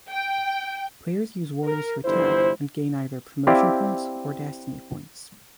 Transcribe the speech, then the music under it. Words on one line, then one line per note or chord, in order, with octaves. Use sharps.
Players use warriors to attack and gain either Promotion Points or Destiny Points.
G5
A#4
G1 D3 E3 E4 C5
C4 E4 G4 D5 F5